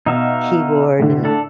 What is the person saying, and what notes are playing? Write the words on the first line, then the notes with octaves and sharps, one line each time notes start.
keyboard and
B2 D#4 E5 F5
A2 D3
D4 A4